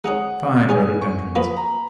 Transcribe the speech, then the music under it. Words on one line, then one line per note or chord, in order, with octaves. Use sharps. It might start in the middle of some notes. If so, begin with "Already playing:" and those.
Fine rhododendrons.
G#3 D#4 G#4 C#5 F#5
G#3 D#4 G#4 C#5 G#5
C#6
F3 A#3 F4 B4 D#5 B5
A#5